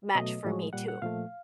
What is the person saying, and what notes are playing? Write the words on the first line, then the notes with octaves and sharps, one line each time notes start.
match for me too."
B2 F#3 A3 D#5
A2 F3 G#3
A#2 G3 F#5
F#5
A#2 F3 A3 F5